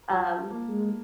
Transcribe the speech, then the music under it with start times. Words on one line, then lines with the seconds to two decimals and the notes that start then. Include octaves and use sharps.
um, m
0.10 F3 A5
0.51 A#3